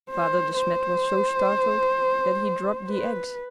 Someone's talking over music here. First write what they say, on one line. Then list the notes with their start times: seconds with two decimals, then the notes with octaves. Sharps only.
Father De Smet was so startled that he dropped the eggs.
0.10 C5
0.57 C5
2.90 B4